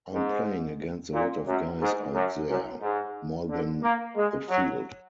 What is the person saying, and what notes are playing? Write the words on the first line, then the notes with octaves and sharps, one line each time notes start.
I'm playing against a lot of guys out there, more than the field.
G#2
A#2
F#2
G#2
F#2
F#2
G#2
D3
A#3
G#3
F#3